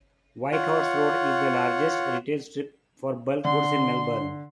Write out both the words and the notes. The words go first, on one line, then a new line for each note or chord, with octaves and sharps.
Whitehorse Road is the largest retail strip for bulkgoods in Melbourne.
F4 C#5 F#5
D3 C6